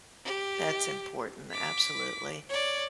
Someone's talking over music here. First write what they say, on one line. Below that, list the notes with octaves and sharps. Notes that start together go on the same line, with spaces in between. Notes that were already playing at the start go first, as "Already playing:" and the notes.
That's important, absolutely.
G4
D6 B6
C#5 D5